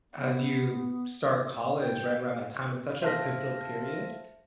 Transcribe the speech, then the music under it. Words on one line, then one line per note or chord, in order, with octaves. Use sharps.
as you start college right around that time, it's such a pivotal period,
B3
G5
C5 E5 F5 A5 F6 A#6